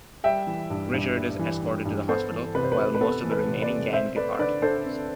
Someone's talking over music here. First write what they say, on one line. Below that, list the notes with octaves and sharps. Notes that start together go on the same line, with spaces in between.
Richard is escorted to the hospital, while most of the remaining gang depart.
G3 E5 G5
E3
G2
G2
G3
E3
G2
G2
B3 A4 C5
E3
C3 B4
C5
B4
C3
B4
B3 A4
E3
B4
C3
B4 D5
C3
C4 C5 E5
A3 B4 D5
D3 B4 D5
D3 A4 C5
C4